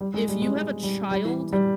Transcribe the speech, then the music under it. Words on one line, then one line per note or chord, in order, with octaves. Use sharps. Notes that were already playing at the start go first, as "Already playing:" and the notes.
If you have a child
G3
G#3
G3
G#3
G#3
G3
G3
E3
G3